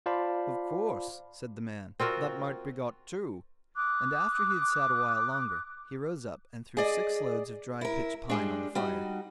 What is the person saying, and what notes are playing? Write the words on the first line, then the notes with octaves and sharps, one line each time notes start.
'Of course', said the man, 'that might be got too.' And after he had sat a while longer, he rose up and threw six loads of dry pitch-pine on the fire.
F4 C5 D5 F5 A5 B5
C4 F4 F#4 A#4
D6 D#6 F#6
G#4 D5 D#5
E4 A#4
G3 G#3 D4
G3 D#4 F#4